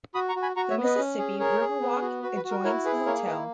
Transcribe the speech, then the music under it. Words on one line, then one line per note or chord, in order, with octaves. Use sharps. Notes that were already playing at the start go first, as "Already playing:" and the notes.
The Mississippi Riverwalk adjoins the hotel.
F#4 B5 D#6
A#5 C#6
F#4
G#5 B5
F#4 A#5 C#6
C#5 E5
B3
B4 D#5
C#4
G#4
G#4 A#4 C#5
G#4
B3
F#4
F#4 B4
B4
F#4
A#4
E4 A#4 C#5
G#4 B4
A#3 A#4 C#5
E4 B4 D#5